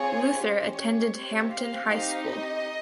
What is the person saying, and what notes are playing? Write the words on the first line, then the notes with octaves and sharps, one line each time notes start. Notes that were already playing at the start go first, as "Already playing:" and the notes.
Luther attended Hampton High School.
Already playing: C4 F4 G#4 C#5
C#4 G4 C5
C#5
C4 G4
F5
C4 D#4 G4 F5
D#5